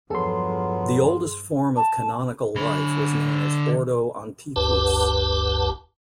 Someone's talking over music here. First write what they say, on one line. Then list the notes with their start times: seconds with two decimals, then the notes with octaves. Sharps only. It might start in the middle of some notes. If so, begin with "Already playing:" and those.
The oldest form of canonical life was known as "Ordo Antiquus".
0.10 E2 G2 F3 F#3 B3 G#4 A4 C6
1.77 A5
2.56 D3 B5
4.56 F#1 D2 G2 G4 B4 A5